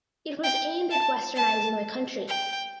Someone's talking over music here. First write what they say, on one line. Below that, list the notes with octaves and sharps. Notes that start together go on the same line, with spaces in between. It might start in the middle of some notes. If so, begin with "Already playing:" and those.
It was aimed at westernizing the country.
G5
A5
A5
G5